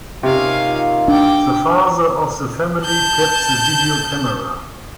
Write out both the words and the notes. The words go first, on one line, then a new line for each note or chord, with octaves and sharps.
The father of the family kept the video camera.
C3 A#3 C#4 D#4 F4 F5
D4 G5 D6
A5 G6